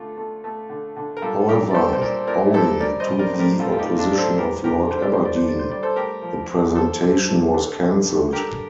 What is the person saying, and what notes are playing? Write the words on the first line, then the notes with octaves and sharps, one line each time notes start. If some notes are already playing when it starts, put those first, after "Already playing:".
However, owing to the opposition of Lord Aberdeen, the presentation was cancelled.
Already playing: D3 A3 F4
A3
A3
D3
D3
A#4
G3 F4 A4
G3 G4 A#4
D5
G3 A4 C5
C5
A#2 A#4 D5
A#2 A#4 D5
G3 A4 C5
G3 A#4 D5
C5 D#5
G3
A#4 D5
A2
G4 A#4
A2 F4 A4
F4
D#4 G4
A2
D4 F4
A2 D5
A4 C5
G3 G4 A#4
D3 G4 A#4
D3 C5
D5
G3 C5
D5
C5
D3
D5
C5
G3 D5
A4 C5
A3 G4 A#4
F3
F3
F3 A4 C5
D3
A3
D3
G3
G3
D3 G4 A#4